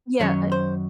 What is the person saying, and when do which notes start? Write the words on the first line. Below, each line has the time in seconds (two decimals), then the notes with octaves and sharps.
Yeah, but
0.20 F#2 D#3 F#3 C#4 C#5
0.52 C5